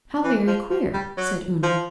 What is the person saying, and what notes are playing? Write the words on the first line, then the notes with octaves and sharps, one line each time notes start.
'How very queer!' said Una.
E3
F3
F3
G3
F#3
F3